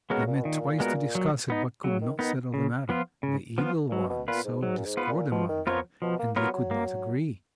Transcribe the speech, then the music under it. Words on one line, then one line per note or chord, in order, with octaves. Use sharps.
They met twice to discuss it, but could not settle the matter; the Evil One sowed discord among them, and they could not agree.
C#3 G#3 B3 F#4 A#4
A#2
B2
A#2 D#3
G#3 B3 F#4 A#4
F#3
B3 D#4
C#3 F#3
D#3
D#3 B3 D#4
C#3
F3 B3 F4
C#3
F3 B3 F4
A#2
B2 F#3
B2
A#2 B3 F4 B4
G#2
G#2 F#3
F#2
G#2
B3 F4 B4
A#2
B2 F3
D#3
F3 B3 F4 A#4 C#5
B2 F3
A#3
F#3 B3 F4 A#4 C#5
F#3
A#3